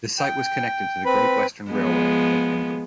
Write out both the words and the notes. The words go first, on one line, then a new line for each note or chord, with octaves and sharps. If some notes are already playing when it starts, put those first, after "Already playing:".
The site was connected to the Great Western Railway at Pembrey.
G5
C4 B4 B5
F3 G#3 B3